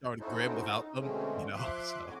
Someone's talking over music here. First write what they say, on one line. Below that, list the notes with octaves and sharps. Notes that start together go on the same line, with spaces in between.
darn grim without them, you know? So
C#4 D#4 E4 F#4 A4 C5
D#4
B2 D3 G#3 A3 C4 C#4
F3 E5 C6 D6 F#6
F2 A2 F#4 G#5 D6